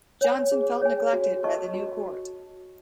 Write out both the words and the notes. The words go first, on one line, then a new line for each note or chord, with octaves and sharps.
Jonson felt neglected by the new court.
C#5 G#5
G#4
C#5 G#5
F#4
A4 D#5 A5 C#6
F#4